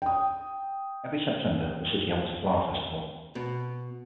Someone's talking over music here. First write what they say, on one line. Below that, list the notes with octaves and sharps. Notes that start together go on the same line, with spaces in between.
Every September the city holds a flower festival.
G5 D#6
B2